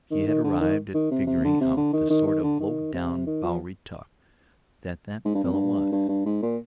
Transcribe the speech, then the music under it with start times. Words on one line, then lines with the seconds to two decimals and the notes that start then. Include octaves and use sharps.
She had arrived at figuring out the sort of low-down Bowery tough that that fellow was.
0.11 D#3
0.27 D#3
0.44 D3
0.61 D#3
0.94 D#3
1.11 C3
1.26 C3
1.44 D3
1.61 C3
1.77 D3
1.93 D#3
2.10 D#3
2.27 D#3
2.43 D3
2.60 D#3
2.93 C3
3.27 D#3
3.43 F3
5.25 G#2
5.34 G2
5.44 F2
5.53 G2
5.92 G2
6.08 G2
6.25 G#2
6.42 A#2